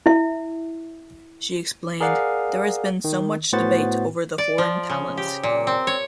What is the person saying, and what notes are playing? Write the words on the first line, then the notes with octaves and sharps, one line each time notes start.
She explained: There has been so much debate over the foreign talent scheme.
E4 E5
G#4 A#4 D5 F5 F#5
D#3
A2 B3 F#4 C5 F#5 A6
D5
F3
C#3
G4
A#2
C4
C#5